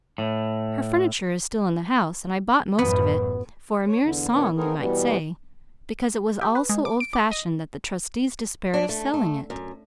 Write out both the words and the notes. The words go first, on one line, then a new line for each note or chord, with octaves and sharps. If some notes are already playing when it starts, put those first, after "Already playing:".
Her furniture is still in the house, and I bought most of it--for a mere song you might say, because it was all so old-fashioned that the trustees despaired of selling it.
A2
A1 F#2 B3
C#5
E2 D3
A#2 D#3 B3 C#5
A3 B3 C4 D#4 G#4 A#4
B2 E3 G3 B3
G4
B4
G#3
D6
D7
D6
D#5
D4
A3
A3
F#2